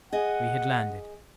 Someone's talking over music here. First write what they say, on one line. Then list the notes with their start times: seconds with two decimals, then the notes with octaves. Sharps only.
We had landed.
0.12 G#4 D#5 F#5